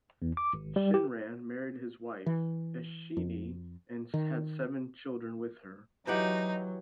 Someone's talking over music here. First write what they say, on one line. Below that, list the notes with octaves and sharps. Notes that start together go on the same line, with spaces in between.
Shinran married his wife, Eshinni, and had seven children with her.
E2
D6
G#1
G3
G4
E3
F2
D#3
E3 F#3 D#4 G4 F#5